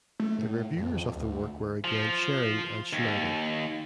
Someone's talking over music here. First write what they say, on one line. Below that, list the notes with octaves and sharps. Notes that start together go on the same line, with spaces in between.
The reviewers of the work were again Schering and Schneider.
A3
A2
F2
F2
D2
F3
D#2